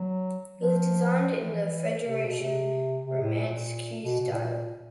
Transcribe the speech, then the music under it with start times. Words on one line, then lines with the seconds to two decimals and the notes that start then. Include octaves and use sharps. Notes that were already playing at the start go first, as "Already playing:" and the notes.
It was designed in the Federation Romanesque style.
Already playing: F#3
0.59 F3
1.41 E3
2.06 C3
2.23 B2
2.40 C3
3.05 C3
3.21 A2
3.37 A#2
4.04 B2
4.20 B2
4.31 B2
4.35 A#2